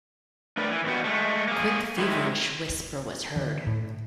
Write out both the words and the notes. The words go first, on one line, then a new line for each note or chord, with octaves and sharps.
A quick, feverish whisper was heard.
A3 D4 A#4 B4 D5
E3
B2 D#3 G3 B3 D#4 F#4
G#3 A3
A#3 G#4
D#3 G#3 E4
D3 E3
A2